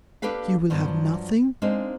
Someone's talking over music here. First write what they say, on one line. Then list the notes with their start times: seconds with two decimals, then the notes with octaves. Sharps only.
"You will have nothing!"
0.22 A#3 D4 G4 A4 B4 F5
0.70 G2 F3 F#3 B3
1.62 G#3 A#3 C4 D4 D#4 C5